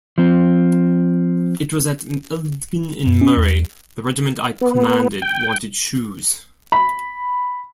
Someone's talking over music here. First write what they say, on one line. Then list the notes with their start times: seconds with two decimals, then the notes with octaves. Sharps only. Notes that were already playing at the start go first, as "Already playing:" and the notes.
It was at Elgin in Murray, the Regiment I commanded wanted shoes.
0.18 F3 C4
3.07 F#2
3.21 C#4
3.37 E2
4.61 B3
5.22 G5
6.72 B5